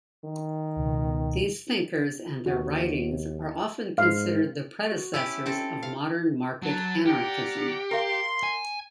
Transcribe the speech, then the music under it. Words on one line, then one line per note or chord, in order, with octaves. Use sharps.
These thinkers and their writings are often considered the predecessors of modern market anarchism.
D#3
C#2 B2
D#2 F#4
G#2 F5
F#4
C#4 E4 G4 E6
C4 C#4 A4
C4 F5
F#3 A5
G4 A#4 D5 F#5
A#4 F5 C6
G#5